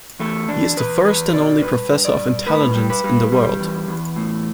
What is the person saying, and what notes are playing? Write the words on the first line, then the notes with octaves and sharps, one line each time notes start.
He is the first and only Professor of Intelligence in the world.
E2 A3
E2 D4
E2 B4
E2 B4
B2 D5
G2 B4
G2
D5
G2
A2 B4
G3
B4
G3
G3
E2
E2
A2